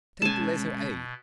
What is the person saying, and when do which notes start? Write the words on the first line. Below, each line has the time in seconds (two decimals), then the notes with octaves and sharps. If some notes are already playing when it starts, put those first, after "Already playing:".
Take the letter a.
0.22 B2 G#3 C#4 G#5 A5